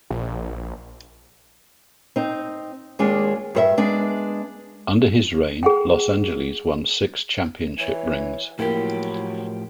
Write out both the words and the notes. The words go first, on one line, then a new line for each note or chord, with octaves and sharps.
Under his reign, Los Angeles won six championship rings.
A#1
C4 D#4
D#2 G#3 D4 F4
G2 C5 E5
G#3 B3 D4
G#4 F#5 G5
E3 C#5
A2 F3 F#3 A#3 E4 G4